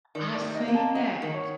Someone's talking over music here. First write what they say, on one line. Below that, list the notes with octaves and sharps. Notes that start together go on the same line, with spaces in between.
I seen that.
D#3 D5
D5
C3
D#5
A#3
A5
F#3 D#5
D#3
C#5